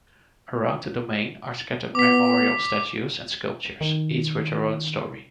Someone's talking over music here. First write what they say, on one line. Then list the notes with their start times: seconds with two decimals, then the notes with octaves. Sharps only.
Around the Domain are scattered memorial statues and sculptures, each with their own story.
1.95 B3 D6 B6
3.81 D#3